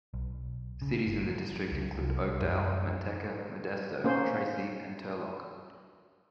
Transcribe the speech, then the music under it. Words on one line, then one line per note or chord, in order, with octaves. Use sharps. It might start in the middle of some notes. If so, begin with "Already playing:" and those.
Cities in the district include Oakdale, Manteca, Modesto, Tracy, and Turlock.
B1
C#3
G1
F#3
C#2
C2
F#2
A#3 C#4 C5